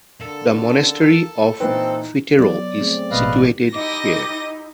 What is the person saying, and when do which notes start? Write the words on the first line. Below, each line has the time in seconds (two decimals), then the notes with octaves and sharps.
The Monastery of Fitero is situated here.
0.21 D3 A#3 A4
1.60 A#2 E3 C4 D#4 B4
2.38 F#3 B3 D5
2.80 A3 C4 G#4
3.11 A1 B2 G#3 C#4 B4 D#5 F5
3.72 D#4 E4 G4 D#5 D6 A#6